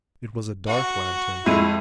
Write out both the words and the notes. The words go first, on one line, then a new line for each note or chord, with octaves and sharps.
It was a dark lantern.
F#4 C#6
F2 G#3 E4 D#7